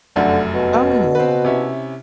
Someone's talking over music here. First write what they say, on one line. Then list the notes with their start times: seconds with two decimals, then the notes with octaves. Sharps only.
Oh, yeah.
0.16 F1 F#2 D3 A3
0.54 B2
1.15 C4 B4
1.44 C3 C#4 E4